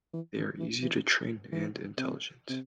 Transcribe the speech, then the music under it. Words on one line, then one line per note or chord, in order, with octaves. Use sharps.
They are easy to train and intelligent.
E3
D3
E3
E3
E3
C3
C3